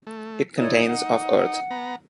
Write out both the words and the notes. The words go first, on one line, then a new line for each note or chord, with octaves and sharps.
It contains of earth.
A3
D#4 E4 C#5 D5
F#5
B3 A#5